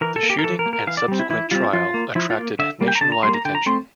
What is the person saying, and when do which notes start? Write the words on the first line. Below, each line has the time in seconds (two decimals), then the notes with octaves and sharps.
The shooting and subsequent trial attracted nationwide attention.
0.01 E3 A#4
0.16 A4
0.23 A#3
0.30 G4
0.38 A#4
0.44 E3 A4
0.59 A#4
0.66 A#3
0.73 A#4
0.87 E3 F5
0.97 D5
1.08 G3 C4
1.19 E4
1.29 E3 E4
1.51 G3 C4 F4
1.73 F3 F4
1.94 A#3
2.15 F3 E4
2.30 F4
2.38 A#3
2.59 D3 E5
2.81 G3 A#3
2.88 G5
2.95 A#5
3.01 D3 A5
3.12 A#5
3.23 G3 A#3 C6
3.34 A#5
3.45 D3 G5
3.55 A#5
3.66 A3 C4 C6